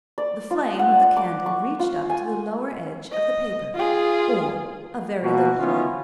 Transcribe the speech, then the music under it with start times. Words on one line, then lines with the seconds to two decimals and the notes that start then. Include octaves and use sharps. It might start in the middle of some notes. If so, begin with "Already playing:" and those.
The Flame of the Candle reached up to the lower edge of the Paper, or a very little higher.
0.18 D5
0.51 F4
0.79 F#5
1.17 D6
1.46 C#6
1.79 F4
2.10 G#5
3.11 D#5
3.75 F4 G#4
5.22 B2 A#3 F#4
5.57 D#3 B3 C#4 E4 F4